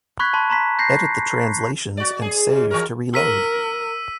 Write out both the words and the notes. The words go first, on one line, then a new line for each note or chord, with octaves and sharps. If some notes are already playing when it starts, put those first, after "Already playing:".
Edit the translations and save to reload!
B5 C#6 F#6 G#6 B6
A5 B5 C6
A#5 C6 B6
G6 A#6 C7
F#4 D5
G#4
G#2 C#3
E3 F#4 A#4
A#4 E6 B6 D#7